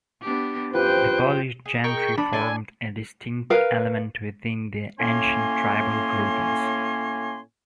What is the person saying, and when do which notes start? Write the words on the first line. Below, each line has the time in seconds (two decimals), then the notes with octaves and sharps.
The Polish gentry formed a distinct element within the ancient tribal groupings.
0.22 B3 D4 G4
0.74 F#2 F3 G4 B4 C5 G5
1.66 G#4
1.84 A#4 D#5 G5 C#6
2.18 D4 B5
2.33 A4 D5 G#5 C7
3.50 A#4 B4 F5
4.99 A2 A#3 C#4 C#5 G#5 C6